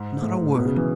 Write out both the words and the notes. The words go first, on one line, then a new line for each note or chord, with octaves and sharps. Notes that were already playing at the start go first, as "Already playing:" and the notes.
Not a word.
Already playing: G#2
A2
B2
C#3
E3